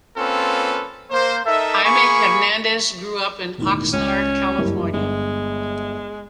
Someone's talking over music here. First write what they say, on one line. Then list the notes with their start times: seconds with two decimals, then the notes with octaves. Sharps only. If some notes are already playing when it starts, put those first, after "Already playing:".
Jaime Hernandez grew up in Oxnard, California.
0.17 A#3 C4 C#4 F4 A4 B4
1.11 A#3 C5
1.45 D#4 A4 A#4 E5
1.84 A#3 G#4 G#5 B5 C#6
3.58 E1 A2 D#3
3.93 C#2 C#4
4.58 F#1 G2 E4
4.94 G1 G#3